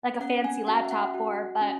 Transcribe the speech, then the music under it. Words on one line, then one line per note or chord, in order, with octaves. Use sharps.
like, a fancy laptop for, but.
C#4 F#5
G#5
F#4 F#5
E5
F#5
F#4
C#4